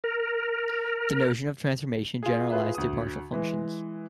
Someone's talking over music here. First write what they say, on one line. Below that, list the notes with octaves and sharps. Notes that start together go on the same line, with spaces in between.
The notion of transformation generalized to partial functions.
A#4
F4 G#4
F4 G#4 B4 E5
D2 D#6
E3 G#3